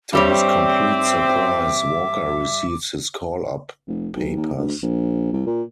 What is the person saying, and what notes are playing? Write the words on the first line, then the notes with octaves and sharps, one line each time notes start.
To his complete surprise, Walker receives his call-up papers.
G2 G3 C4 C#5 E5 D6
F1
B1
D#2
D2
A#1
C2
A#2